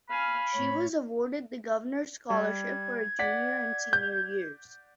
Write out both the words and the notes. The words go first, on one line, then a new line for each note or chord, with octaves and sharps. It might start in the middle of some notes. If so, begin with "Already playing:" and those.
She was awarded the governor's scholarship for her junior and senior years.
F5 G#5 B5 F6
A2 C#5
G3 G#6
D5 F#5 B6
G6